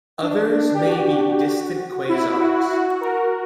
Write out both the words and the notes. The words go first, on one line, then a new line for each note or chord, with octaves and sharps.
Others may be distant quasars.
D4
D4
G4
F#4
E4
F#4
F#4
A#4